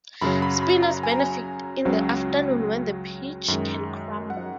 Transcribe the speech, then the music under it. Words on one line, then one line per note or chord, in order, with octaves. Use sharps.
Spinners benefit in the afternoon when the pitch can crumble.
F#2 C#3 F#3 B5
B5
B5
A#5
G#5
A#5
G#5
C#2 C#3 F#3
F#2 D#3 G#3
F#5